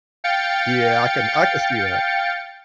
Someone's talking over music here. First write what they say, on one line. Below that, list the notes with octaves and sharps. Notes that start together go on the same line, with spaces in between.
Yeah, I can I can see that.
F5 G5 A6 C#7